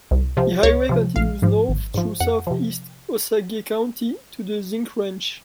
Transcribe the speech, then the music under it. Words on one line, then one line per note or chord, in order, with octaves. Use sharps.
The highway continues north through southeast Osage County to the Zink Ranch.
C2
C3 F3
C#2 C#5
C3 F3
A#1 F5
G#2 F3
G#1
G#2 F3
F2 F#5
C3 F3